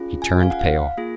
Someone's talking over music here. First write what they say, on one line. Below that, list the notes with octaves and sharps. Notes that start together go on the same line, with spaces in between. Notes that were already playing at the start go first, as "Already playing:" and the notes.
He turned pale.
Already playing: C#4 F4 G#4
G#5
F5
F#5
F5
A#3 F4 G#4